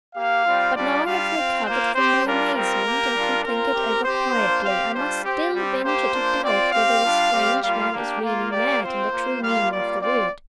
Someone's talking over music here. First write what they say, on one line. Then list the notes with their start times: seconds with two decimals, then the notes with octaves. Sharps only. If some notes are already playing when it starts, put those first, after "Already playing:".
But now I have recovered from my amazement, and can think it over quietly, I must still venture to doubt whether this strange man is really mad in the true meaning of the word.
0.15 A#3 G4 F5
0.45 G3 C4 F4
0.74 G3 D4 F4 D5
1.05 G3 D4 F4 F5
1.34 C4 F4
1.64 A#3 F4 C5
1.94 C4 G4 C5
2.24 G3 D4 F4 A#4
2.54 G3 C4 F4 A#4
2.84 A#3 G4
3.13 G3 D4 F4
3.44 C4 F4 A#4
3.74 C4 G4
4.04 C4 G4 C5
4.33 A#3 D4 F4
4.63 C4 G4 F5
4.93 G3 D4 F4 C5
5.23 C4 G4
5.52 G3 C4 G4
5.83 A#3 G4 C5
6.12 A#3 D4 F4
6.42 C4 F4 D5
6.72 C4 G4 F5
7.02 G3 D4 F4
7.32 G3 C4 G4
7.61 G3 A#3 F4 F5
7.91 A#3 D4 G4
8.21 A#3 F4
8.51 A#3 G4 D5
8.81 C4 F4 C5
9.11 A#3 F4
9.41 G3 A#3 F4 F5
9.71 G3 A#3 F4 D5
10.00 C4 F4 D5